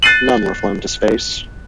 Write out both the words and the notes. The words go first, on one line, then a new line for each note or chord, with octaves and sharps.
None were flown to space.
F#6 A6 C7 D#7 F#7